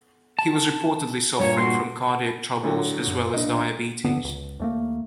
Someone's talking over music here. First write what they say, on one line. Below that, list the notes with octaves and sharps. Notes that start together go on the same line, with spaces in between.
He was reportedly suffering from cardiac troubles, as well as diabetes.
A5
G2 A#2 A#3 C#5
F#4 C6
A2 D3 F#3
F#2
B1 A#2 D4 D#5
D1 G1 D3 B3
C#2
D#2 A3 A#3